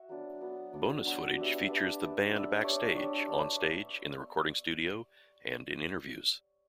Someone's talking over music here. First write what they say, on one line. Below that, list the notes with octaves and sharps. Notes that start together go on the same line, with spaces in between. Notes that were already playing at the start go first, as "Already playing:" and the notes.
Bonus footage features the band backstage, on-stage, in the recording studio and in interviews.
Already playing: F#4 E5
F#3 B3 D4
F#3 B3 D4
F#3 B3 D4
F#3 B3 D4
D4 G4 B4 E5
D4 G4 B4 E5
D4 G4 B4 E5
D4 G4 B4 E5
D4 G4 C#5
D4 G4 C#5
D4 G4 C#5